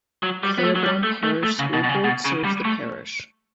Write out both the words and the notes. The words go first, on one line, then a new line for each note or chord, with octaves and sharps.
Claiborne Parish School Board serves the parish.
F#3
G3
B3
A3
F#3
G3
A3
A3
A3
C#3
B2
B2
C#3
B2
C#3
G3
A3